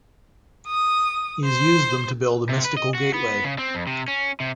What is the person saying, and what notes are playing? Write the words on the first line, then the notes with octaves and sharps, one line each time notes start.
He has used them to build a mystical gateway.
D#6
C5
C3
B4
D#5
F#4
B3
C#3
C4
F2
C3
C#4
C3